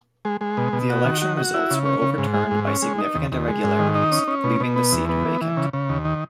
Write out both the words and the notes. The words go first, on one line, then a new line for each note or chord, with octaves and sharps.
The election results were overturned by significant irregularities leaving the seat vacant.
G#3
G#3
B2
B2
F#4
D#3
F#4
F#4
E4
C#3
C#4
C#3
G#2
G#3
G#2
C#4
G#3
D#4
D#2
D#2
G#3
G#2
D#3
D#4
C#4
C#4
B2
B2
B3
E2
B3
E3
E3
C#3
C#3
D#2
D#3